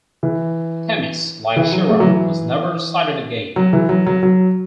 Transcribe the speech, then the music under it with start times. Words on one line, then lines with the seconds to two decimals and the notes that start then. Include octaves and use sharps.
Themis, like Chiron, was never sighted again.
0.23 E3
1.56 E3
1.72 F#3
1.89 A3
2.00 F#3
2.06 E3
3.56 F#3
3.73 E3
3.89 F#3
4.06 F#3
4.23 F#3